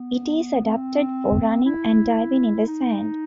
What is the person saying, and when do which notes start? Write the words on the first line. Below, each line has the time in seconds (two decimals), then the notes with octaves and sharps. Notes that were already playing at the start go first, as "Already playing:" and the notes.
It is adapted for running and diving in the sand.
Already playing: B3
0.65 C4
1.65 E4
2.67 D#4